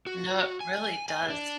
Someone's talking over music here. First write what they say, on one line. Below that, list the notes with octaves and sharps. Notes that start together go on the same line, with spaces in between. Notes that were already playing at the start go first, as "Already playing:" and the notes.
No, it really does,
F#4
G#5
G#5
D4